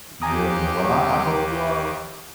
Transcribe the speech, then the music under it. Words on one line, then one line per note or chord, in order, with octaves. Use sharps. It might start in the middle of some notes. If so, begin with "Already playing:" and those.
Yeah, man. Well, I I hope you all
D#2 G4 G#5 A#5 D#6